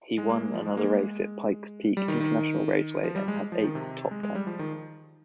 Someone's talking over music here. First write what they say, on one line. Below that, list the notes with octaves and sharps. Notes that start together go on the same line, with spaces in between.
He won another race at Pikes Peak International Raceway and had eight top-tens.
G#3
A#3
G#3
F3
G#3
A#3
G#3
G3
D#3
D#3
F3
G3
G#3
F3
D#3
C3
G#3
G#3
G3
F3
D#3